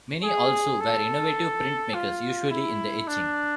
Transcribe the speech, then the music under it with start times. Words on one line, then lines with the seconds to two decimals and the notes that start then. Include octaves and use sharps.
Many also were innovative printmakers, usually in etching.
0.24 G#4
0.80 A4
1.94 F4
2.50 E4
3.07 D4